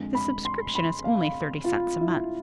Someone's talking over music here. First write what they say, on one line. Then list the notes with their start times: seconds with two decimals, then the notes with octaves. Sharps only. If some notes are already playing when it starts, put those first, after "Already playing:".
"The subscription is only thirty cents a month."
Already playing: F2 D3 G#3
0.15 B5
0.45 C6
0.75 B5
1.04 F5
1.64 F4
2.01 E4
2.09 F4